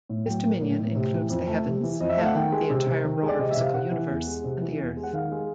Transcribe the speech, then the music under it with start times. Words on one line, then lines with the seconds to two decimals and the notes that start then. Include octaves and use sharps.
This Dominion includes the Heavens, Hell, the entire broader physical universe, and the Earth.
0.09 A2
0.26 F#3 G5
0.44 A#3
0.62 A2
0.79 A2
0.96 C3
1.14 E3
1.30 F2
1.48 A3
1.66 C3
1.83 E3
2.00 F2 D#5
2.09 E5
2.18 A3 F5
2.26 F#5
2.35 D#3 G5
2.52 G#3
2.70 C3
2.87 C3
3.05 D#3
3.23 G#3
3.28 D5
3.39 C3 D#5
3.51 E5
3.57 C3
3.63 F5
3.74 C3 F#5
3.91 E3
4.09 E2
4.27 G#3
4.44 C3
4.61 E3
4.79 E2
4.97 G#3
5.03 F#5
5.13 D#3 F5
5.32 G#3